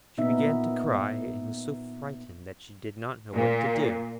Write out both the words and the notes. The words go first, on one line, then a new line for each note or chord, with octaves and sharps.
She began to cry, and was so frightened that she did not know what to do.
A#2 B3 D#4 E5
A#2